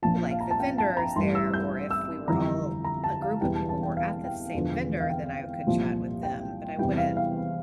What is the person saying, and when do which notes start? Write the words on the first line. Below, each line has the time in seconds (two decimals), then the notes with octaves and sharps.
like the vendors there, or if we were all, a group of people were at the same vendor, then I could chat with them, but I wouldn't
0.02 A#1 A#2 F3 A5
0.31 F5
0.41 A#5
0.51 A5
0.60 G5
0.78 A5
0.97 A#5
1.16 A1 G2 E3 G3 C6
1.35 E6
1.54 G6
1.91 E6
2.28 G1 F2 E3 G3 A#5
2.84 A#5
3.04 A5
3.22 F5
3.41 E1 E2 E3 G3 G5
3.55 A5
3.69 A5
3.83 G5
3.97 F5
4.25 G5
4.54 E1 E2 D3 F3
5.00 F5
5.10 G5
5.67 C2 A#2 F3
6.23 G5
6.78 E2 C3 E3 G3 G5
6.98 F5
7.17 F5